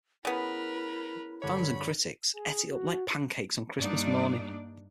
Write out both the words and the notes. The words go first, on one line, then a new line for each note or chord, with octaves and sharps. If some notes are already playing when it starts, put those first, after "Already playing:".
Fans and critics ate it up like pancakes on Christmas morning.
C#3 B3 E4 A#4 B4
G2 D3 C#5 B5
G#4
F#4
G2 A#3 D4 D#4 D5